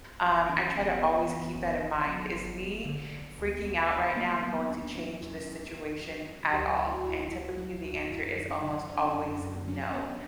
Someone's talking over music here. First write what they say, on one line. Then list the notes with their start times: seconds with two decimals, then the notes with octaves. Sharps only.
um, I try to always keep that in mind, "Is me freaking out right now going to change this situation at all?" And typically, the answer is almost always, "No,"
0.23 G1 B3
0.49 E3 C#4
0.76 G1 B3
1.01 F#2 B3
1.27 E3 B3
1.54 G1 B3
1.80 G1
2.06 F#3
2.33 G1
2.59 G1
2.85 D3
3.11 D3
3.38 D2 B3
3.64 D2
3.90 D2
4.16 F#3 A#3
4.42 F#3 B3
4.69 D2 D4
4.95 F#3 C#4
5.21 E2 E4
5.47 E2 E4
5.73 E2 E4
6.01 F#3
6.26 F#3
6.53 D2 G4
6.79 D2 F#4
6.87 E4
6.95 F#4
7.05 D2 E4
7.31 D2 E4
7.57 F#3 F#4
7.83 D2 F#4
8.10 F#2 E4
8.36 F#3
8.50 D4
8.62 C#3
8.89 C#3 C#4
8.98 D4
9.08 C#4
9.15 F#2
9.41 F#2
9.67 F#3 C#4
9.74 D4
9.82 C#4
9.94 F#3 B3